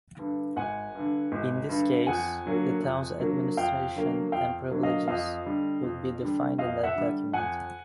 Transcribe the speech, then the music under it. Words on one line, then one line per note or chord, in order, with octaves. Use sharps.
In this case, the town's administration and privileges would be defined in that document.
G2 D3
G#1 F#5 G#5
G2 D3
G#1
G2 D3
F2 F#5 G#5
D3 F#3 A#3
F2
D3 F#3 A#3
F2 F5 G5
D3 F#3 A#3
F2 F5 G5
D3 F#3 A#3
D#5 F5
F2 D#5 F5
D3 G3
F2
D3 G3
F2 D#5 F5
E5 F#5
D3 G3
F2 F#5 G#5